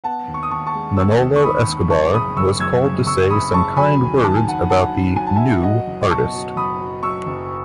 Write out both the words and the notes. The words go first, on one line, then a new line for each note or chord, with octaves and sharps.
Manolo Escobar was called to say some kind words about the "new" artist.
B3 F#5 A5
D#2
C#6
D#6
D#2 A5 C#6
A5 C#6
G#3
B3 C#6 E6
D#2
C#6
D#3 B5 D#6
D#2
F#1 A5 C#6
C#3 B5 D#6
F#1 C#6 E6
F#2 E6 G#6
C#3
F#1 C#6 E6
F#1 B5 D#6
C#3 A5 C#6
F#3 G#5 B5
D#2
D#3 A5
G#5
D#3 F#5 A5
F#3 F#5 A5
D#3
F#3 G#5
A5
E5 G#5
F#3
F#3 D#5 F#5
F#1
B2 A5 C#6
F#3
F#1 B5 D#6
F#3
F#3 C#6 E6
F#1